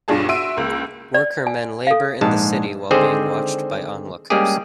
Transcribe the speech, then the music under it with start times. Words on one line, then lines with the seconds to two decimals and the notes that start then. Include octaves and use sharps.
Worker men labor in the city while being watched by onlookers.
0.08 B1 G2 D4 F4 G#4 A5
0.29 F#4 E5 C6 E6 D7 D#7
0.57 C#2 A#3
1.14 D5
1.47 G#5
1.87 A4 F5
2.21 A#1 G#2 G#3 A5
2.91 D3 D#3 G#3 C4 G#4 C5
4.30 G3 G#3 A#3 C#4 G4 G#4